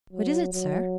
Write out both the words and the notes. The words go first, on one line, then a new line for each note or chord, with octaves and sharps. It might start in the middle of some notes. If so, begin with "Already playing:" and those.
"What is it, sir?"
F#3
F#3